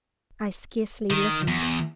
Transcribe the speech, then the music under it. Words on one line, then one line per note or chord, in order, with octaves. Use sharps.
I scarcely listened.
D#3
E2